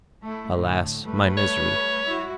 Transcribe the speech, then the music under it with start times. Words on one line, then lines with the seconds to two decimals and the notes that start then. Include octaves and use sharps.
'Alas! my misery!
0.24 A3 E4
0.56 A2 D3
1.04 G3 A3 B4
1.37 C#5
2.07 E4 F#4